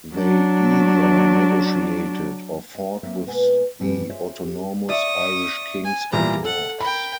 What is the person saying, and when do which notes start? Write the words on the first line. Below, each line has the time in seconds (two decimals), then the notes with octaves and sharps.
They either negotiated or fought with the autonomous Irish Kings and lords.
0.14 F#3 D4
2.75 D#5
3.03 F#3 A#3 C4 E5
3.26 B2 G#3 A#3 B4 F#5 G#5
3.80 G2 B2 E3 G3 A3
4.09 F4 G#4 C5 C#5 D#5 E5
4.43 G4
4.89 D5 E5 C#6 D#6
5.84 G#5
6.13 A#2 E3 G3 A#5
6.45 A4 F#5
6.81 A#4 G5 B5